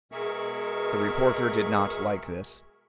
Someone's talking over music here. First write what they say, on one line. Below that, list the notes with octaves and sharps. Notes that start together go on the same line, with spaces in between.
The reporter did not like this.
B2 G#3 G#4 A#4 E5 C#6